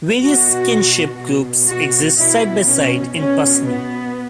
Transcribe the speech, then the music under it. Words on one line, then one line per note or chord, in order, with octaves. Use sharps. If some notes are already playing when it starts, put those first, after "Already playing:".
Various kinship groups exist side by side in Pasni.
B2 F#4
B2
F#4
B2 E4
C#4
B2 C#4
B3